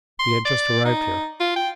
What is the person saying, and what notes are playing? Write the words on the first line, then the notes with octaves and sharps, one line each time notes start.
We had just arrived here.
C6
D5
D#4
F4
G5